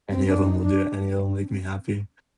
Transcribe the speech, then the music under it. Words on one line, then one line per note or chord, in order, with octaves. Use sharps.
Any of them will do it, any of them make me happy.
C4
D4
D#4
D4
D4
C4